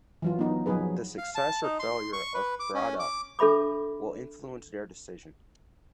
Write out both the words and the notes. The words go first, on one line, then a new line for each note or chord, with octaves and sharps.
The success or failure of Braddock will influence their decisions.
E3 F#3 F4
B3 D#4
F3 F#3 D#4 G#4 B4
F5
A5
D#4
C6
C#6
B4
D6
C#4
D6
D4 A4 E5 B5 D6